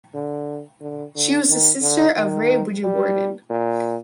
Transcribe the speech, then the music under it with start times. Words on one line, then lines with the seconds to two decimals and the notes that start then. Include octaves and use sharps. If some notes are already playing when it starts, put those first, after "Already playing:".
She was the sister of Ray Wijewardene.
0.14 D3
0.81 D3
1.15 D3
1.48 D#3
1.82 D3
2.16 D#3
2.84 G3
3.50 A#2